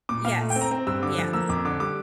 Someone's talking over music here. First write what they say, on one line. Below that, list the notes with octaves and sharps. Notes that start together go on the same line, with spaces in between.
Yes. Yes.
A#2 D6
A#2 F5
A3
G5
C4
A#5
C4
G2 E6
D3 D6
F3
A#3 E6
F2 D6
D3 D6
G3 D6